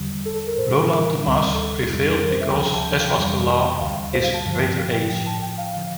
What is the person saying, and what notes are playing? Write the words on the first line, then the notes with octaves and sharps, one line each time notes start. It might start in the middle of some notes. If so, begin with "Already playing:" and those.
Roland Dumas prevailed because, as was the law - his greater age.
Already playing: E2 D3 G3
A4
A4
A#4
A2 G3 C5
A4
A#4
D2 D3 G3
A4
F2 C3 G3
A#4
C5
E5
D2 C3 F3 G5
G5
A5
G5
F5
F2 E3 G3 F5
G5
A5
G5
D2 D3 G3 F5
C5
F5
A5
G2 D3 F3 A5
G5
F5
G5
A2 F3 G5
A5
G5
F5
D3 F3 F5